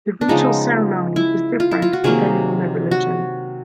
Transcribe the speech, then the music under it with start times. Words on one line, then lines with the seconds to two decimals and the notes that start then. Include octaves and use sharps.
The ritual ceremony is different depending on their religion.
0.21 D4
0.28 C#3 F3 G#3 B3 D#4
1.16 E4
1.60 F4
1.71 E4
1.82 F4
1.93 F#4
2.04 C3 D#3 F#3 A#3 G#4
2.91 F#4